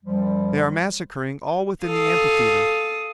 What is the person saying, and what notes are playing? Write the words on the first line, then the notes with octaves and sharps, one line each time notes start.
They are massacring all within the amphitheatre.
F#2 F3 G3
A4 F5 D#6